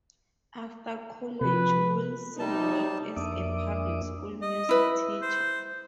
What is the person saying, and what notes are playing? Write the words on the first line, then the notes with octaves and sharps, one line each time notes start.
After college, Willson worked as a public-school music teacher.
C3 F3 B4
C3 G3 D#4 A5
F2 A#3 D4 E5 D6 D#6
D#5
E4 B4
C5